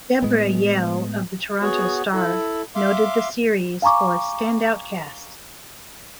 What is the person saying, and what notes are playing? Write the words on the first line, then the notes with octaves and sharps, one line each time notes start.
Debra Yeo of the "Toronto Star" noted the series for its standout cast.
A2 G#3 B3
B3 F#4 G#4 C#5
E4 A4
E5 F5 C6 D6
F5 G#5 A#5 C#6 D6